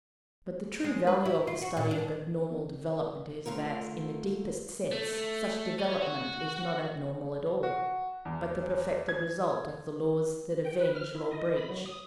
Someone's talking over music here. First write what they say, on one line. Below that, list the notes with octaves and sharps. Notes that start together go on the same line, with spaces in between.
But the true value of the study of abnormal development is that, in the deepest sense, such development is not abnormal at all, but the perfected result of the laws that avenge law-breach.
G#3
B4
E4
F4
F#4
A#2
D4
D3 A3 F4 A#4
A3
C#4
F#4
F#4
E2
G#6
G5
B4
F6
E4
D#5
B5
F#3
D#6